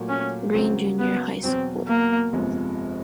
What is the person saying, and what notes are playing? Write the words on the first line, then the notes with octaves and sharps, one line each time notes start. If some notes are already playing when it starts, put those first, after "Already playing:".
Green Junior High School.
Already playing: A#2 F#3 A3
C#4
C#2 C#3 F#3 A#3 C4
B3
E2 B2 F#3 C4
A#3
G1 F2 C3 F3 G#3